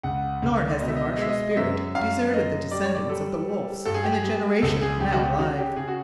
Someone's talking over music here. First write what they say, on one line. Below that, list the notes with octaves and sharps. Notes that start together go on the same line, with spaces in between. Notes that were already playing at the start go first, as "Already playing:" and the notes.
Nor has the martial spirit deserted the descendants of the Wolfes in the generation now alive.
C#2 F#5
C#2
B2 D#5
E5
D#5
E5
D#5
G#3 E5
D#5
D#5
F#2 E5
F#2 F5
F#2 D#5
G3 D5
C#5
D5
G3 A4
G3
G2 A4
G#4
G4
G#4
G3
C#2 A4
G#4
C#2 G4
F#4
G4
C#3 F#4
G4
C#3 G#4
F#4